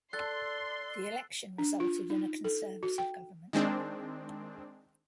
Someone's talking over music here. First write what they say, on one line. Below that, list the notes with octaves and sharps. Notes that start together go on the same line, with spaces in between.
The election resulted in a Conservative government.
A4 D5 C6 F#6 A6
D4
F4
D#4
A4
F#4
G5
D#3 G#3 C4 D4